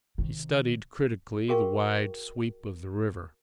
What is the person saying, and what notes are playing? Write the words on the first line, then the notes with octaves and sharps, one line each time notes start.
He studied critically the wide sweep of the river.
C3 D#3
F#4 G#4 A#4 F5 G5 C#6